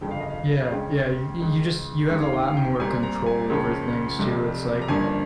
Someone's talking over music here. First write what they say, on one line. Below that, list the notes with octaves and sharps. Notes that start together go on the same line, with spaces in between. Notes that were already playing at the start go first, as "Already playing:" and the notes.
Yeah, yeah, y you just you have a lot more control over things too. It's like,
G1 F2 C#3 F3 G5
F5
D#5
F5
F5
C#2 C#3 G#3 C#4 G5
C#2 C#3 G#3
D#2 D#3 G#3 C#4 G#5
F5
G5
F5
G5
G5
C2 A#2 G3 C4 G#5
A#5
G#5
C#2 C#3 F3 A#3 C#4
F1 F2 C3
A#5
G1 G2 F3 A#3 C#4 G#5